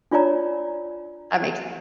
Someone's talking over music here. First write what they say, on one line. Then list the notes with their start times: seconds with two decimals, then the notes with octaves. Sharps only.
That makes
0.11 D4 F4 C#5 D5 A#5